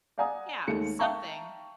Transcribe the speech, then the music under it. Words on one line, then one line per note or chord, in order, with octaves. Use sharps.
Yeah, something,
D5 F5 F#5 G#5 A#5 D#6
D#2 G#3 A3 C#7
E5 F5 G5 A5 A#5 C#6